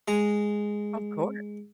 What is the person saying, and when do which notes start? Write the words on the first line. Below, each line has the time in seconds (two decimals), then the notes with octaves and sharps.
Of course.
0.08 G#3 A#5